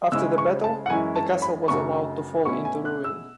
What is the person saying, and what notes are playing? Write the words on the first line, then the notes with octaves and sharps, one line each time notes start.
After the battle, the castle was allowed to fall into ruin.
C#3 G#3 C#4 E4 E6
C#6
A5
F#5
F#2 E3 G#3 C#4 E4 G#5
A5
B5
F#2 C#3 F#3 A3 D4 C#6
B2 A3 C#4 E4 C#6
G#5
F#6
E6